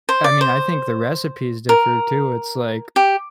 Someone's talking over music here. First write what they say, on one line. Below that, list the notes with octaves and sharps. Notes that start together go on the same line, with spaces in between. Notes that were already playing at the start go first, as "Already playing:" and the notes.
I mean, I think the recipes differ too. It's like,
C5
D5
C5
A#4
G4